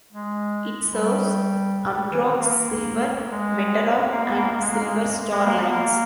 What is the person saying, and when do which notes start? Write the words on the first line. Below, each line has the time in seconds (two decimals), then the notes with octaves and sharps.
It serves Amtrak's "Silver Meteor" and "Silver Star" lines.
0.12 G#3
0.92 G3
2.12 E3
2.25 D#3
2.38 A#3
3.31 G#3
4.11 A#3
4.24 B3
4.38 A#3
4.51 A#3
4.61 G#3
4.71 A#3
4.81 G#3
5.31 G#3
5.44 A#3
5.57 B3
5.71 A#3